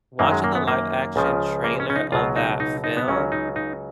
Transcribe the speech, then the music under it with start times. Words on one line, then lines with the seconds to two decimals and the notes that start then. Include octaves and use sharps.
watching the live-action trailer of that film
0.19 F#2 D#3 F#3 A#3
0.32 G#3
0.44 A#3
0.55 B3
0.67 A#3
1.16 C#2 C#3 F3
1.64 A#3
1.80 C#4
1.90 C#4
1.96 D#4
2.12 C#2 B2 F#3 F4
2.36 D#4
2.60 D#4
2.84 D#4
2.97 B3
3.08 C#2 C#3 F#3 C#4
3.32 D#4
3.56 D#4